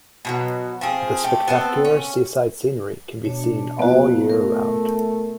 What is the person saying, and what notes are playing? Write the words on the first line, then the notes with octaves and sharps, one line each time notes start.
The spectacular seaside scenery can be seen all year round.
B2 D3 F#3
F3 C4 G#4
A3 G4
B3 C4 A4
C#4
B2 D4 C#5
F2 F#3 A#3 B3 F4 F#4
A3 A#4